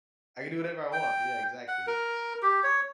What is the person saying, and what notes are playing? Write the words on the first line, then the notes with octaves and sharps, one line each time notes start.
I can do whatever I want, yeah, exactly.
G5
F#5
A#4
G4
C#5